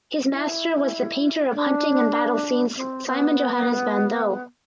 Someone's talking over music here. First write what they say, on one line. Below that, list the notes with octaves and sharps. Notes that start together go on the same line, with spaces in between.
His master was the painter of hunting and battle scenes Simon Johannes van Douw.
E4
D4
C4
B3